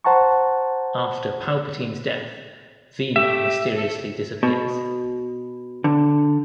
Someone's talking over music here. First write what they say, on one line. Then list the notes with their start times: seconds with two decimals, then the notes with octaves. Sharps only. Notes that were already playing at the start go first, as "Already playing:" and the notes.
After Palpatine's death, Vima mysteriously disappears.
0.04 C5 F#5 A5 A#5 C#6
3.16 A3 G4 E5
3.76 A4
4.43 B2
5.84 D3